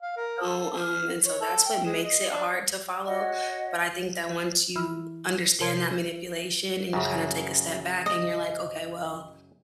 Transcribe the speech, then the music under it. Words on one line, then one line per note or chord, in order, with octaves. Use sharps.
so, um, and so that's what makes it hard to follow, but I think that once you understand that manipulation and you kinda take a step back and you're, like, "Okay, well,
F5
A#4
A4
F6
C#5
A4
G5
G#3
D#5
D4
F#4 C#5 D#5 F#5
E3 E4 B5 E6 F6
C3 A#4 C#5 A5 C6 G#6
F#2 C#3
D#5